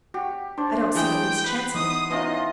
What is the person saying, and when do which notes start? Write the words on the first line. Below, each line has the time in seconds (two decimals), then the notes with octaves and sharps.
I don't see the least chance of it.
0.14 F#4 G4
0.58 D4 C5
0.95 E3 E4 G#4 G5
1.46 B4 C6
1.75 E3 B3 D#4 D#6
2.10 E3 B3 C#4 D#4 F4 D#5